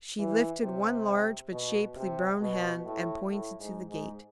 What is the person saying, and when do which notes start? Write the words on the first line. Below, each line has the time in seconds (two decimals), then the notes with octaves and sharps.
She lifted one large but shapely brown hand and pointed to the gate.
0.19 E3
0.63 C3
1.52 B2
1.96 C3
2.41 B2
2.85 A2
3.30 A2
3.60 G#2
3.90 G#2